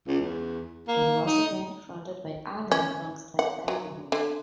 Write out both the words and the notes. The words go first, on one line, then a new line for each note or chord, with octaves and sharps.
It was again fronted by Allen, alongside Barrymore.
C#2
E2
A#3
D#4
C#4
F#5
F#3
D3